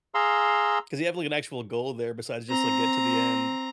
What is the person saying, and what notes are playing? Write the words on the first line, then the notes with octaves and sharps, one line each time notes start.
'Cause you have like an actual goal there besides just like get to the end.
G#4 F5 A#5 C6 E6
C4 A#5